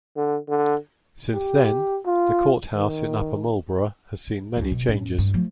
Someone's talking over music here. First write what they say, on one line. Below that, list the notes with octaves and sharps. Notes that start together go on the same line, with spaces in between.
Since then, the courthouse in Upper Marlboro has seen many changes.
D3
D3
G4
F4
D#3
C#2 F#2
B2
A2 C#4
G2
F3 A3